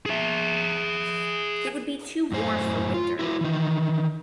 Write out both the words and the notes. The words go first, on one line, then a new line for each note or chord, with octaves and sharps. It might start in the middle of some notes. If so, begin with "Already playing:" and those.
It would be too warm for winter.
G#4 E5
F#2 A2 C5 G#5
F4
E4 F#4 B4
D#3 E3